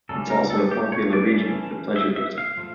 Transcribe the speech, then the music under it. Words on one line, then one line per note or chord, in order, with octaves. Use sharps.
It is also a popular region for pleasure boating.
C#3 G3 C#4 A4
A#4
A4
G4
C#5
D5
E3 A3 C#4
E5
E5
F5
F3 A3